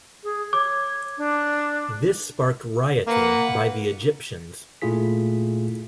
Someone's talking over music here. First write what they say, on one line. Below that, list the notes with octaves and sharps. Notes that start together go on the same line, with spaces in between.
This sparked rioting by the Egyptians.
G#4
C#5 D6
D4
A#3 B4 F#5
A#2 A3 E4 F4 G#4 B6